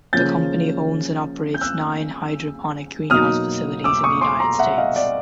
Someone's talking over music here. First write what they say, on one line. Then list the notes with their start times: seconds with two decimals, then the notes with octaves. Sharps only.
The company owns and operates nine hydroponic greenhouse facilities in the United States.
0.13 C#3 F3 A#3 C#4 F4 G6 A6
1.54 G6
1.61 E6 F#6
3.10 B2 F#3 A#3 D#4 D#6 F6
3.84 D6 E6
4.03 C#6 D#6
4.21 C6 D6
4.40 A#5 C6
4.59 E5 F#5
4.78 D#5 F5
4.96 D5